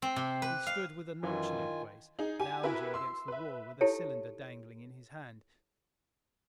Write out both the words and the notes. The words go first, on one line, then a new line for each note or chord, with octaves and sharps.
He stood with a nonchalant grace, lounging against the wall with a cylinder dangling in his hand.
C4
C3
B4
F5
F#2 D#3 E3 F4 G#5
D#4 G#4
G4 G#5
E4 F#4 G4 A#4 B4 E5
C6 E6
B4 E5
D#4 E4 G4 A4 C#5